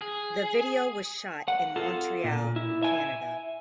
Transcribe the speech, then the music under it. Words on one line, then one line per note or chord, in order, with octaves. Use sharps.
The video was shot in Montreal, Canada.
G#4
F#5
F4 A4
A#2
E4
E5 G#5